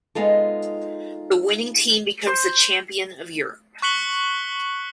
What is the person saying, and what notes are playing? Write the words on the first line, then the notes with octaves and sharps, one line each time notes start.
The winning team becomes the champion of Europe.
G#3 B3 D#4 F4 A4
C5
C#6 F#6 B6 C#7 F#7 G7